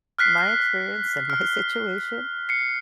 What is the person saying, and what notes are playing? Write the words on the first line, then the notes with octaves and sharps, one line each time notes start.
my experience and my situation,
F6 F#6 B6 C7
F6
C7 C#7